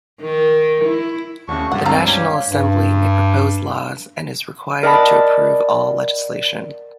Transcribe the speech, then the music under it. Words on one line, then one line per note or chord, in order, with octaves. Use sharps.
The National Assembly may propose laws and is required to approve all legislation.
D#3
E4
D#2 A2 C#3 D4 F#4 C#6
C#2 G2 G3 F#5 E6
C4 D4 A#4 F5 A#5
C#4 G4 C#5
G2
A#4 D5 D#5 F#5 A5 B5